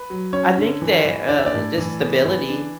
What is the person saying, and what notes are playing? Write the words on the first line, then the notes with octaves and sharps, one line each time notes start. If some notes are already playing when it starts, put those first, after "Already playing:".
I think that, uh, just stability,
Already playing: B4
F#3
C#4 C#5
D3
E3
E3
D4 D5
E5
D5
A2
E3
B3
E3
D4